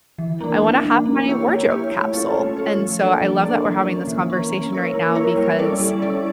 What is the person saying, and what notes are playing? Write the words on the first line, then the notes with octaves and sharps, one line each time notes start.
I wanna have my wardrobe capsule," and so I love that we're having this conversation right now, because
E3
A#3 D4
E3
A#3 D4
A#3
E4 G4 C#5
A#3
E4 G4 C#5
A3
C#4 F4 A4 C#5
A3
C#4 F4 A4 C#5
F3
A#3 D4 A4 D5
F3
A#3 D4 A4 D5
E3
A#3 C#4
E3
A#3 C#4
A#3
E4 A#4 C#5
A#3
E4 A#4 C#5
G3
C#4 E4 A4 D5
G3
C#4 E4 A4 D5